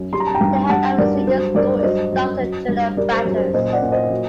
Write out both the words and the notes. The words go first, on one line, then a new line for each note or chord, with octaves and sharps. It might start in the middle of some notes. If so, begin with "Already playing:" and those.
The Head of the Senior School is Doctor Julia Batters.
Already playing: F#2
G3 C6
A#5
A5
G5 A#5
G2
G2 F#5 A5
G2 A#4 D5
F#3 C5
G2 A#4 D5
D5
F#3 C5 D#5
F#2
F#3
G2
G3 A#4 D5
C5
A#4
F#2
C5
A#2 C5 D#5
D5 F#5
A#2
C5 D#5
F#3